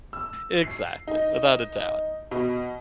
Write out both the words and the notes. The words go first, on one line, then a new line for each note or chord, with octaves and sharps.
exactly, without a doubt.
E6
C7
D#4
B2